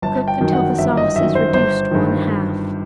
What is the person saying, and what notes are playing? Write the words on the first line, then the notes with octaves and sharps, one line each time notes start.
Cook until the sauce is reduced one-half.
G1 A5
G5
F#2 D#3
F#5
G1 E5
D#5
F#2 D#3 E5
C5
G1 C5
G2 D#3